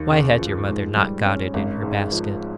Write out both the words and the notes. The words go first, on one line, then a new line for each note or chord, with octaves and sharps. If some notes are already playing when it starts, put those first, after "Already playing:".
Why had your mother not got it in her basket?'
Already playing: D#2
C#3
F3
G#2
G3
C#4
G#1
G#2
F3